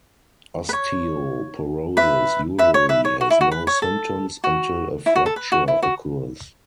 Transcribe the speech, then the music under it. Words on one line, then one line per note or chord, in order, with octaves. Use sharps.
Osteoporosis usually has no symptoms until a fracture occurs.
B4
C#5
B4 E5
B4 E5
C#5
B4 E5
C#5
F#4
E4
F#4
B4
C#5
A4
F#4
E4
F#4
A4
B4
F#4
E4
F#4